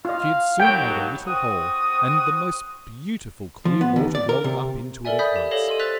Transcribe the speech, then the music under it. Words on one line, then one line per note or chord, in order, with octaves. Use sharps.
She had soon made a little hole, and the most beautiful clear water welled up into it at once.
F4 D#5 F5
D#2 B2 F#3 G5
C4 F#4 D#6
F3
B3
D#2
D5
A#4
C3
A4 A#4 D5 E5 G#5
D5 E5 B5 D#6 G6 B6
G4
G4 A4 C#5 F5 A#6 G7
A4 D#5 C6 D#7
C5 E6 F#6 A6 B6 F7